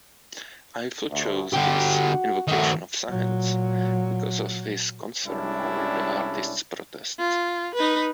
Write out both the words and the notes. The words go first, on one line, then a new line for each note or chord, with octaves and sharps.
Eiffel chose this "invocation of science" because of his concern over the artists' protest.
D2
D3 F#4 G4 F#5
D#3 A3 F#4
A#2 F#3
C2 G3 G#3 C#4 D4 E4
F4
D#4 B4